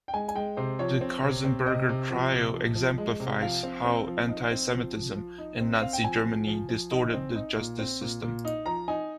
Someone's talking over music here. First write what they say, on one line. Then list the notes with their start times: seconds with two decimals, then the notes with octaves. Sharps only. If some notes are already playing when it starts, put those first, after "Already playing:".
The Katzenberger trial exemplifies how anti-Semitism in Nazi Germany distorted the justice system.
0.08 G5
0.14 G#3 G#5
0.29 G#5
0.35 G#3 G5
0.57 C3 C5
0.79 F3 C#5
1.01 C4
1.23 C3
1.45 C4
1.66 C3 D#5
1.89 C3
2.11 F3
2.33 C3
2.54 F3
2.76 F3
2.98 G#3
3.20 C3
3.42 F3 F5
3.63 C4
3.85 C4
4.07 F3
4.29 D#4
4.51 C4
4.73 F3
4.94 F3
5.16 F3
5.38 D#4
5.60 C4
5.82 C4 F5
5.93 G5
6.04 F3 G#5
6.26 F3
6.47 F3
6.69 F3
6.91 D#4
7.13 C4
7.36 D#4
7.56 A#2
7.79 C4
8.01 A#2
8.22 A#2
8.45 D#4
8.66 F3 A#5
8.88 D#4 G#5